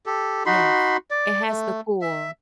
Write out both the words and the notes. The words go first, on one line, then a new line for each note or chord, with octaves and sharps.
Yes, it has to cool.
G4 A4
D#4 F#4 B5 C6
D5
A3
E5